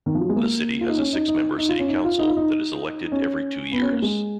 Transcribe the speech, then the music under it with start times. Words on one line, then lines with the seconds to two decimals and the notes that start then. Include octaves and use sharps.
The city has a six-member City Council that is elected every two years.
0.06 D#3
0.14 F3
0.21 F#3
0.29 G#3
0.36 A#3
0.81 F4
0.89 D#4
0.98 C#4
1.13 D#4
1.28 D#4
1.58 D#4
1.69 F4
1.79 C#4
1.88 D#4
2.04 F4
2.19 D#4
2.28 F4
2.36 D#4
3.12 C#4
3.72 B3
3.82 C#4
3.92 A#3
4.02 G#3